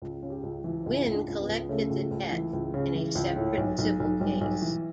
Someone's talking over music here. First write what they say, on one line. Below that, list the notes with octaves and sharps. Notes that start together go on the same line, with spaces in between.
Wynn collected the debt in a separate civil case.
C#2
C#3
G4
C#2
E3
C#2 E4
C#2
D4
C#2
B3
C#2
C#3 A3
C#2
C#2
E3
C#2
C#3
E3
C#2
A2
B1
B1
B1
B1 G3
B1
E3